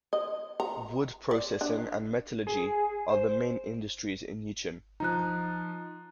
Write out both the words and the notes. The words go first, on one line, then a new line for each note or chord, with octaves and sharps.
Wood processing and metallurgy are the main industries in Yichun.
D#5
A#5
D5
D4
G#4
C5
F3 D#4 A#5 F#6